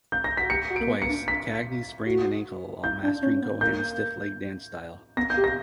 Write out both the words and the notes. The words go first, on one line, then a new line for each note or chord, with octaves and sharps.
Twice, Cagney sprained an ankle while mastering Cohan's stiff-legged dance style.
G6
A#6
F#4 B6
G4 C#7
F#4
D7
A#3
B3
C#7
D4
B6
F#4
E4 G6
D4
C#4
B3
A#3 G6
B3 A#6
G6
G4
A#6